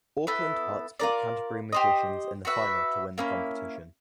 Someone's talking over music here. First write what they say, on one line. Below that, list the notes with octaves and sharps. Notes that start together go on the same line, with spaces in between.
Auckland Hearts beat Canterbury Magicians in the final to win the competition.
B3 E4 A4
F4 A#4 D5
G4 C5 D#5
F#4 B4 E5
A#3 C#4 E4